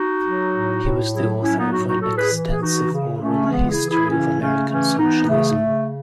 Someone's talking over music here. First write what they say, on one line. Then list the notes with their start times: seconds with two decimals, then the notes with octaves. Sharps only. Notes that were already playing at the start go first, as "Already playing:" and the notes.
He was the author of an extensive oral history of American socialism.
Already playing: D#4 F#4
0.24 F#3
0.53 A2
0.83 A2
1.12 F#3 E4 G#4
1.42 F#3 C#4 E4
1.57 B3 D#4
1.72 A2 D#4 F#4
1.87 D#4 F#4
2.01 A2 F#4 A4
2.16 G#4 B4
2.32 E3
2.51 G#4
2.62 E3 D#4 F#4
2.91 C#3
3.20 C#3 A3 C#4
3.45 C#4
3.50 E3 G#3 B3
3.70 E4 G#4
3.80 E3
3.90 E4 G#4
4.10 C#3 C#4 E4
4.39 C#3 A3 C#4
4.69 E3 A3 C#4
4.98 E3 B3 D#4
5.22 B3
5.28 C#3 A3
5.58 C#3